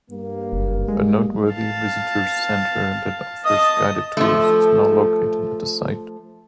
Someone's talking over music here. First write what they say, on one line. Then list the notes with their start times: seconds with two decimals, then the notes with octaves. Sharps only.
A noteworthy visitors' centre that offers guided tours is now located at the site.
0.11 G2 G3 A#3
0.52 F#1
0.88 G#3
1.52 F5 A5
3.44 D#5 A5 D#6
4.17 F3 A3